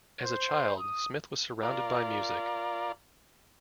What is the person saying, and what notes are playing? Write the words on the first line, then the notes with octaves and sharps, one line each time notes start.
As a child, Smith was surrounded by music.
C5
D#6
F4 A#4 D5